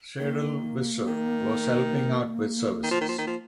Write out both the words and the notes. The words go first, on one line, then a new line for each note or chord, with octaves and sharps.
Sarel Visser was helping out with services.
D#3 A#3
D#3
D#3
F3
D#3
F3
D#3
F3